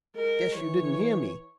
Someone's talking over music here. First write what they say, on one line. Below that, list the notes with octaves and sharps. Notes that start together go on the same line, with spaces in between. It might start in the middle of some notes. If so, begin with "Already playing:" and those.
Guess you didn't hear me.
G#3 A#4
E3 C#5